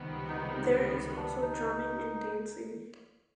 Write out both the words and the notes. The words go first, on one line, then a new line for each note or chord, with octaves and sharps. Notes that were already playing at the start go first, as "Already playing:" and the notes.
There is also drumming and dancing.
Already playing: C#2 C3 D#3 G3 B3
D#4
D#4
D#4
D4
D#4